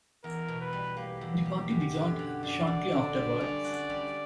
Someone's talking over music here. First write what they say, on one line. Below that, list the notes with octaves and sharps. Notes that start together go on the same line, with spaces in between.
The party dissolved shortly afterwards.
E2 A#4
B2
B4
G3
A#3 G4
E2
B2
F#2
D3
F#3
F#2 D5
F#2
D3
G3
C#4
F#4
G3